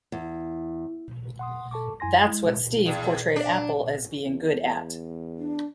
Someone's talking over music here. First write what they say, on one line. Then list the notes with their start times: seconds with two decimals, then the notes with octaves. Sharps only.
That's what Steve portrayed Apple as being good at.
0.12 E2
1.39 F#5 C6 D#6
1.71 A4 A5 C#6 D6
2.00 F#2 E4 G#5 C6 A#6
2.27 G#3 E4
2.86 E2
3.36 D4
4.25 E2
5.38 D4